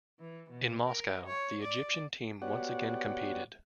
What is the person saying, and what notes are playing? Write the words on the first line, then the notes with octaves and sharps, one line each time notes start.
In Moscow, the Egyptian team once again competed.
E3
B2
A#4
C#5
D5
B3 F#4 G4 C#5 D5 F#5